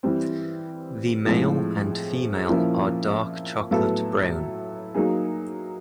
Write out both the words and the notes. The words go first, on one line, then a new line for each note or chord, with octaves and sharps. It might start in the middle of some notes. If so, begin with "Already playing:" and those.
The male and female are dark chocolate brown.
E3 G3 C4
A2 F3 G#3 C4
A#2 F3 A#3 C#4 E4
A2 F#3 B3 E4 A4
F#3 A#3 D#4 G#4